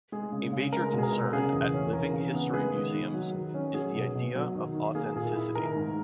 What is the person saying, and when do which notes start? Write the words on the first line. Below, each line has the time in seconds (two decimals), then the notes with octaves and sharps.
A major concern at living history museums is the idea of authenticity.
0.12 G#3 G#4
0.32 C#3
0.53 C#3
0.73 G#3 A#4
0.93 B2
0.99 G#4
1.03 A#4
1.13 B2
1.33 C#3 G#4
1.53 E2
1.74 C#4
1.93 E3 A#4
2.14 C#3
2.34 B3
2.53 G#3 G#4 B4
2.74 D#3
2.94 D#3
3.14 F#3
3.34 D#3
3.54 C#4
3.74 F#3 G#4
3.94 B2
4.15 B2
4.35 F#3
4.55 D#3
4.75 D#3
4.95 A#3 G#4
5.06 A#4
5.16 A#2 G#4
5.35 E4
5.55 D#3 A#4
5.76 G#2